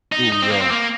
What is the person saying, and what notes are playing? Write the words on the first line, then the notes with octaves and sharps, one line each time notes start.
Ooh, yeah.
D#4
D#4
C4
A#3
C4
A#3